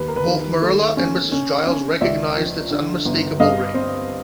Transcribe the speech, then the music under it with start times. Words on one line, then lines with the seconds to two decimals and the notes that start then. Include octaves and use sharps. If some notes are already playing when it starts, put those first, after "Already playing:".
Both Marilla and Mrs. Giles recognized its unmistakable ring.
Already playing: D#2 B4
0.08 A#4
0.16 B4
0.28 D#3
0.62 A3
0.97 C#4
1.32 C#4
1.66 C#4
2.01 C#2 D5 E5
2.36 F3
2.71 D3
3.05 G1
3.40 G2 D#5 F5
3.74 C4